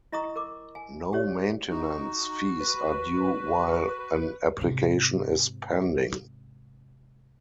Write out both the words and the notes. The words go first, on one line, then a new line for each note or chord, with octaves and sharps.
No maintenance fees are due while an application is pending.
E4 D#5 A#5 C#6 D#6
A#4 D6
G#5
G4 C#5 D5
D#4 F#4
B4
G#2 C3